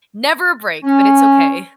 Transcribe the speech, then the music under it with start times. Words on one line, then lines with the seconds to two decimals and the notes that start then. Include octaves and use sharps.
never a break, but it's okay.
0.83 C#4